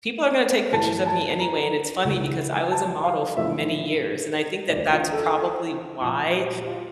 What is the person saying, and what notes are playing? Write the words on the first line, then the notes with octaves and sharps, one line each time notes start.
people are gonna take pictures of me anyway," and it's funny because I was a model for many years and I think that that's probably why,
A1 G2 E3 A5
A5
A#5
C#2 C#3 E3
A5
F5
A#1 A2 E3 E5
E1 D2 D3 D5
F4
A4
A#1 A#2
G4
F4